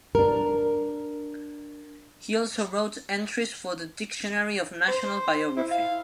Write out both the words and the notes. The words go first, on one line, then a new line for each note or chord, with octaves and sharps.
He also wrote entries for the "Dictionary of National Biography".
D4 A#4
C5
E4
F5